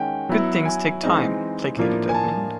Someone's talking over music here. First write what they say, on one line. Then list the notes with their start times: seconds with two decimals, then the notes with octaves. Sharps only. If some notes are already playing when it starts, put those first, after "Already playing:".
Good things take time, placated Edmund.
Already playing: D#3 G#3 C#4 F#5 G5
0.29 F#3 B3 E4
0.65 G#5
1.03 E3 G#3 C4 D#4
1.77 A2 F3 A#3 D4 F4
2.09 G#5
2.15 A5